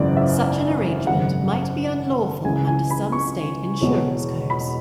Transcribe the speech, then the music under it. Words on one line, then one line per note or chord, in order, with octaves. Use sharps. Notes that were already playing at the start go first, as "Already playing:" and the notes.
Such an arrangement might be unlawful under some state insurance codes.
Already playing: G#1 F#2 C#3 E3 D5
E5
G#1 F#2 C#3 F#5
C#2 C#3 E3 G#5
G#5
B5
C#6
E1 E2 B2
B5